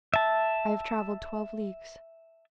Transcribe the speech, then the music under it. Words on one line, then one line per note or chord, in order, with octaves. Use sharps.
I have travelled twelve leagues.
E5 A5